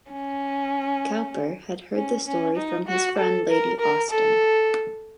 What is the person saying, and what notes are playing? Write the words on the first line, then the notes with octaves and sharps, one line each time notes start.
Cowper had heard the story from his friend Lady Austen.
C#4
C#4
C#4
D#4
F#4
A4
A#4
A#4
A4